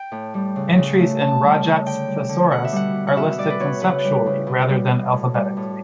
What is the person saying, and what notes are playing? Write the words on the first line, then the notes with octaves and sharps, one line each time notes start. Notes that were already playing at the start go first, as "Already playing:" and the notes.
Entries in "Roget's Thesaurus" are listed conceptually rather than alphabetically.
Already playing: G5
A2
G3
C#3
C#3
A3
C#3 A5
G3
C#3
D3 G5
G3
D3
B2 F#5
E5
G3 F#5
B2
F#5
B2 E5
G3 D5
B4
B2 C#5
C#3 B4
G3
C#3
B2
G3
B2
A2
G3
A2